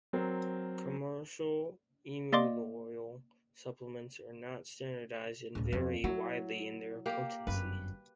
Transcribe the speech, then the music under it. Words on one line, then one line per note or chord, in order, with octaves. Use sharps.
Commercial emu oil supplements are not standardized and vary widely in their potency.
F#3 C4 A#4
A#3 D5 D#5 C6 D6
C#2 A2
F2
F#3 E4
A#3 G4
G1 F#2 B4